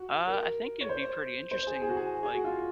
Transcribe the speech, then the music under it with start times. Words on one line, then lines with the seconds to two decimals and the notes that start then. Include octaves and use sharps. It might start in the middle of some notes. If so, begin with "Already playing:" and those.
Uh, I think it would be pretty interesting, like,
Already playing: F#4
0.27 A#4
0.81 C#5
0.89 C5
1.51 C5
1.67 G#4
1.82 G#4
1.89 F#4
1.97 G#4
2.23 G#4
2.35 F#4
2.44 F4